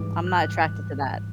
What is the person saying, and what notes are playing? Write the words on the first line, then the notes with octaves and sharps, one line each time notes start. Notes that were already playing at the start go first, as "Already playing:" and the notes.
I'm not attracted to that.
Already playing: G#2 E3 G3 D6
F#6